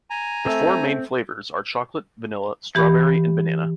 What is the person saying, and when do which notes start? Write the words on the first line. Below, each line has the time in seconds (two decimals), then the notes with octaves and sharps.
The four main flavors are chocolate, vanilla, strawberry, and banana.
0.10 G#5 A#5
0.46 A3 C4 E6
2.75 E3 G4 B5